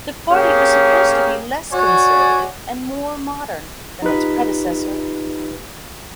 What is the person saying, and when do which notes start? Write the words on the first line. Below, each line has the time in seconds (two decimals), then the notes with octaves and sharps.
The party was supposed to be less conservative and more modern that its predecessor.
0.30 A#3 C#4 G4 G#4
1.72 F#4 C#5 D5 G#5
4.02 D#4 F4 G4 B4